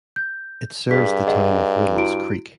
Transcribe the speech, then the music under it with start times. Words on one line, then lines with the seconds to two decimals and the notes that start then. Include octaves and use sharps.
It serves the town of Riddells Creek.
0.16 G6
0.91 G2 G#4 B6
1.27 G#4 D#5 F#5
1.95 E4 F#4 D7